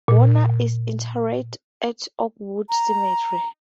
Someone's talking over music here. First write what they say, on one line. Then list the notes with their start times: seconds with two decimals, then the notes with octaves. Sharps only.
Warner is interred at Oakwood Cemetery.
0.08 A#2
2.69 A#5